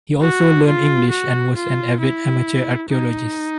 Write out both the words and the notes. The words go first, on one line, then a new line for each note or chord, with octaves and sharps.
He also learned English and was an avid amateur archaeologist.
F#4
F4
F#4
F4
E4
D#4